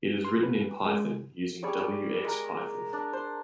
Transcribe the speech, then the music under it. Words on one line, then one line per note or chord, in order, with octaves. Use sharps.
It is written in Python using wxPython.
C6
B4
G#3
G3 G#4 D5 C#6
G#3 A#4
D4
C5